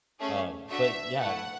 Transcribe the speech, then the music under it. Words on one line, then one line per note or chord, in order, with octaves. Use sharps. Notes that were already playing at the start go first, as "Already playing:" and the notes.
um, but yeah
A3 C#4 G#4
A3 D4 F#4 E5
A3 E4 A4 F#5